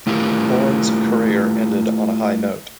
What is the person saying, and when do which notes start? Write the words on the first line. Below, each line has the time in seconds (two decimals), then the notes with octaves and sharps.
Bourne's career ended on a high note.
0.07 A3 E4 F4 G4 A#4